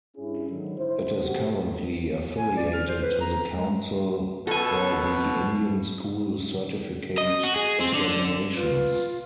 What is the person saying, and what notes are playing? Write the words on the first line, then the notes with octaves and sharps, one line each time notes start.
It is currently affiliated to the Council for the Indian School Certificate Examinations.
G2 C#4 D4 E4 G#4
G#2 D3 D#3 F#3
E4 C5
D#2 C3 A#3 F#4 G4
G#5
D5
F6
C5
B4
A#5
G#3
B2 A4 G#5
D#5
F#4
G#4
C4
D3
F4 B4